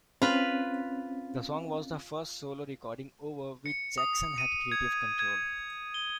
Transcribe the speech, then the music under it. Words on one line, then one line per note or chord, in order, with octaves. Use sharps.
The song was the first solo recording over which Jackson had creative control.
C4 C#4 F4 B4
C#7
D#6
D#7
G#6
G#6
G7